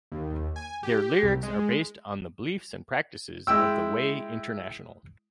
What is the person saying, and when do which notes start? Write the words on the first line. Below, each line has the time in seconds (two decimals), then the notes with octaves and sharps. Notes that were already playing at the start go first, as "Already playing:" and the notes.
Their lyrics are based on the beliefs and practices of The Way International.
0.12 D#2
0.56 G#5
0.83 G4
1.23 C2
1.43 G#3
3.47 G#3 E4 G5 E6